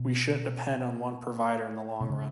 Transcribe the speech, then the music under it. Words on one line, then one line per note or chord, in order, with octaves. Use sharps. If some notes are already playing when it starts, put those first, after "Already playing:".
We shouldn’t depend on one provider in the long run.
Already playing: B2
B2
C#3